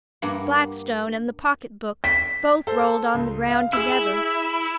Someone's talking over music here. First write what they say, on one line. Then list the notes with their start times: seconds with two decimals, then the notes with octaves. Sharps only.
Blackstone and the pocket-book both rolled on the ground together.
0.22 G2 A#3 F#5
2.04 B6
2.67 A4 C5
3.15 C#2
3.49 F5
3.73 E4 G#4 E6